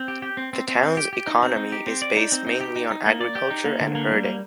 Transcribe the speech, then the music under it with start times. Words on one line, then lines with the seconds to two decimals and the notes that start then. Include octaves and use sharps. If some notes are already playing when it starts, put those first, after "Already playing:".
The town's economy is based mainly on agriculture and herding.
Already playing: C4
0.08 G4
0.22 G4
0.37 C4
0.53 C4
0.68 C4
0.83 C4
0.97 G4
1.13 G4
1.27 D#4
1.43 C4
1.56 D#4
1.72 G4
1.87 C4
2.02 D5
2.17 D#4
2.32 C4
2.47 D#4
2.61 G4
2.76 D#4
2.91 D#4
3.06 A#3
3.21 D5
3.35 G4
3.50 D#4
3.65 A#3
3.81 D3
3.95 A#3
4.10 G3
4.25 A#3